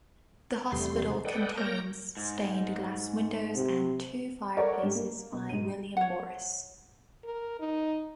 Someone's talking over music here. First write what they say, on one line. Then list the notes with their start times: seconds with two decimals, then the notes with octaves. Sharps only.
The hospital contains stained glass windows and two fireplaces by William Morris.
0.72 E2 C3 G3 A3 C6
1.25 A4 B4 D5 D#5 F#5 G5
1.58 A#3 A#4 C#5 G6 A#6
2.17 G#2
3.55 C3
4.57 A4 A#4 C#5 D5 F#5
4.83 G#2 G3
4.95 A#3
5.32 B2
5.49 G#2 D#7
5.97 C#5 F#5
7.24 A#4
7.60 D#4